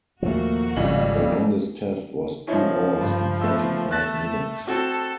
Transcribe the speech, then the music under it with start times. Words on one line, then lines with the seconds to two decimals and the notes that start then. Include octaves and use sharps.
The longest test was two hours and forty-five minutes.
0.22 D#2 A#2 F3 A3 A#3 F#4
0.76 G#1 F2 C#3 G3 F#7
2.48 F3 C#4 D#4 E4
3.01 G2
3.41 A3 B3 E6
3.91 A3 F#6 A6
4.67 C4 F#4 A4